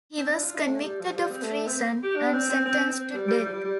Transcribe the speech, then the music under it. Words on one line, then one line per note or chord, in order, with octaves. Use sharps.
He was convicted of treason and sentenced to death.
C4
D4
F4
D4
A3
G3
F3
G3
C4
A3
C4
G4
D4
C4
C4
C4
C4
G3
G3
G3
F3
G3
G3